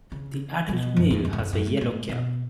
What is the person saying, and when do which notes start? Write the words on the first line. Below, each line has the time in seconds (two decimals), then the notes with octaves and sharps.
The adult male has a yellow cap.
0.12 C#3
0.69 B2
0.96 F#2
1.11 E2
1.25 F#2
1.33 G#2
1.39 F#2
1.53 F#2
1.67 G#2
1.81 A2
2.09 B2